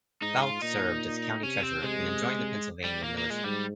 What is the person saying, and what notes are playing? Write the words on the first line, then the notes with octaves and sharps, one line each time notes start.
Faulk served as county treasurer and then joined the Pennsylvania militia.
G#2 D#4
F4
A#2 D#4
C3 C#4
C4
C3 G#3
G3
A#2 A#3
A#3
G#3
G#2 G3